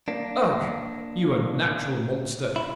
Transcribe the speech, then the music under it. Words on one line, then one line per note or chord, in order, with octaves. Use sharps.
'Ugh! you unnatural monster.'
A#3 D4
E4